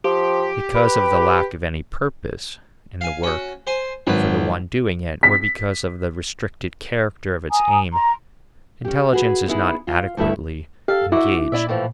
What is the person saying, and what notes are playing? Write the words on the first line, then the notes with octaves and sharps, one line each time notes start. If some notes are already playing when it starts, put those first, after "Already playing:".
Because of the lack of any purpose in the work for the one doing it, or because of the restricted character of its aim, intelligence is not adequately engaged.
F3 G4
B4
F5 G#5
C#4 F#4
C5 G#5 C6
G#1 F#3 B4
B6
G#5 A#5 D#6
A#5 C6
C#4 G4
F#4 G#4 B4
B3 D#4 E4 G#4
F4
D2 G2 A3 E4 E5
G4 A4 F5
E4 F#4 E5 D6
A#2 E4 D5 E5
A2 E3 F3